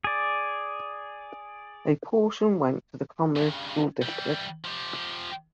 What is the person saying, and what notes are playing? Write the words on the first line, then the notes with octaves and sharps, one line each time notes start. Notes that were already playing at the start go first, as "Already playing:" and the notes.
A portion went to the Commerce school district.
G#4 D5
G2 C#3
E3 G3
F3 G4